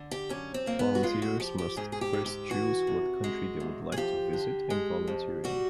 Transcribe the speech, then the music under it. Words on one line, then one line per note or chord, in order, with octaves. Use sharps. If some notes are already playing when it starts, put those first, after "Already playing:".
Volunteers must first choose what country they would like to visit and volunteer in.
Already playing: D3
G4
F#2 C#4
C4
F#2 A#3
B3
F#4
G#3 F4
F#4
F3 G4
G4
G#2 G#4
G#4
G4
G#2
G4
E3 F#4
C3
G#3
E2
G#4
F3 G4
D3
G#3
F2
G3 F#4